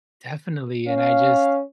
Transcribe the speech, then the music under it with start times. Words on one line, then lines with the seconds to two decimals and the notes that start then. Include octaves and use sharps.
Definitely, and I just
0.88 C#4 F5